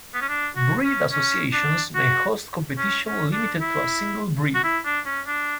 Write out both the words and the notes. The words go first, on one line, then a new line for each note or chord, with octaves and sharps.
Breed associations may host competition limited to a single breed.
B3
C#4
D4
F#4
C#4
C#4
D4
F#4
C#4
C#4
D4
E4
F#4
E4
D4
C#4
D4